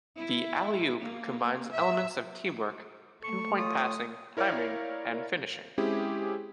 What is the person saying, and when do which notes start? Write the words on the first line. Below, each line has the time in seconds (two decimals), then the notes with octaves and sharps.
The alley-oop combines elements of teamwork, pinpoint passing, timing and finishing.
0.16 E4
1.01 A#3
1.71 E5
3.24 A3 C#6
3.58 F4 C#5 D#6
4.37 E4 A#4 C#5 D5 F5
5.78 G#3 C4 C#4 E4 G4 G#4